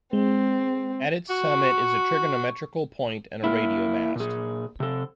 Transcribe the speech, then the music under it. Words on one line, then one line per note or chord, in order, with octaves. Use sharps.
At its summit is a trigonometrical point, and a radio mast.
G#3 C4
F#4 C#6
A#3 E4
A#2 G#4
C3 A4